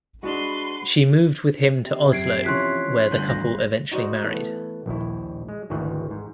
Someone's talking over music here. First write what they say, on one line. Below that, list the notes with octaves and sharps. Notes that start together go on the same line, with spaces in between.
She moved with him to Oslo where the couple eventually married.
G#3 D4 F#4 B4 C6
C3
F#2 G#6 C7 D7
E3 F3 C#4 C#5 C6 F#6 B6
G1 D2 D3 G6 F#7
G#1 E3 A#6
D#4 F#4 C5 D5 D#5
E3 A3 B3
A#1 D#2 E4
G#3
G#1 D2 D#3 E3
G#2